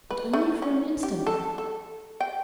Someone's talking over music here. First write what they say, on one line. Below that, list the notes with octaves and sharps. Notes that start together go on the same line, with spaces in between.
But only for an instant.
B4
A3
C#4
G4
A4
A4
G5